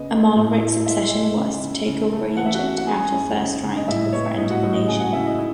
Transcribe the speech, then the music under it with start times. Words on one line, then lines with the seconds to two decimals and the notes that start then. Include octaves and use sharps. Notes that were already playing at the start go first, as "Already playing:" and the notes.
Amalric's obsession was to take over Egypt, after first trying to befriend the nation.
Already playing: C#3 B3 D#5
0.11 G#3
0.36 A2
0.60 E4
0.85 G#3 E4 E5
1.11 G#3
1.36 C#3
1.61 C#3
1.86 C#3
2.12 A3
2.36 E3 F#5
2.46 E5
2.54 F#4 F#5
2.62 C#4
2.77 F#5
2.86 C#4 G#4 G#5
3.12 F#2
3.37 C#3
3.63 C#3
3.76 D#5
3.88 A2 E4 E5
4.01 D#5
4.13 B3 C#5
4.25 E4 E5
4.37 A2 D#5
4.50 F#4 F#5
4.63 A2 D#5
4.75 D#5
4.88 C#3 G#4 G#5
5.00 F#4 F#5
5.13 C#3 E4 E5
5.26 D#5
5.38 D#4 E4